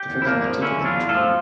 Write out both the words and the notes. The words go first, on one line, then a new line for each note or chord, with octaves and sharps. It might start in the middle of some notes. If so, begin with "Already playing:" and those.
I forgot my ticket on the train.
Already playing: G4
E2
E4
E2 A#3 D4
F3
D3 C#4 E4
E2
D4 F4
E2
F4 A4
F3